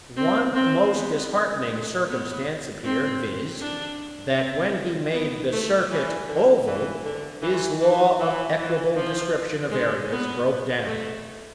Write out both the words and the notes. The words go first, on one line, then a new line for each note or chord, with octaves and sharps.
One most disheartening circumstance appeared, viz. that when he made the circuit oval his law of equable description of areas broke down.
C4
C4
B3
A3
B3
C4
D4
C4
B3
A3
E3
D3
E3
D3
E3
E3
E3
E3
F3
G#3
B3
A3